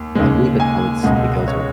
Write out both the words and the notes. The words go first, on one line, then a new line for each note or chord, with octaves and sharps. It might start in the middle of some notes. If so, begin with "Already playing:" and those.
I believe that's how it's it goes or
Already playing: D#2
D#2 C#3 G#3
G#5
C#2 B2 G#3 F#5
C#5